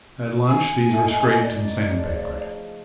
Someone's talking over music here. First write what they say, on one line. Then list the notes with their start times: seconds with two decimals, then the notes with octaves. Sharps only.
At lunch these were scraped and sand-papered.
0.49 G#5
0.89 A3 D#4
1.43 D#4 D5
1.90 C#3 F3